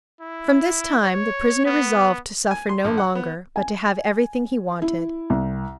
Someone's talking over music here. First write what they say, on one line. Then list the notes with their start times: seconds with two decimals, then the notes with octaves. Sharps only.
From this time the prisoner resolved to suffer no longer, but to have everything he wanted.
0.20 E4
1.03 C#5
1.65 B3
2.51 G#5
2.69 C6
2.84 A#1
2.98 F#5
3.15 B3
3.56 G#5
4.82 E4
5.30 C2